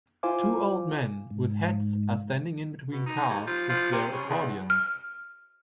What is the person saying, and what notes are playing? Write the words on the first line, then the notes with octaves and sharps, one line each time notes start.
Two old men with hats are standing in between cars with their accordions.
E4 F4 C5 F5 G#5 D6
G#2
B2
D#4
D#2
F3
F3
C3
C#3
E2
F6